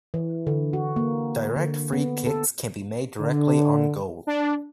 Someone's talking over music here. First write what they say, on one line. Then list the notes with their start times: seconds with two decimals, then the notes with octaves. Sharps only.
Direct free kicks can be made directly on goal.
0.14 E3
0.47 D3
0.73 F#4
0.96 A#3
1.56 D3
1.92 B3
2.26 A4
3.20 D3
4.27 D4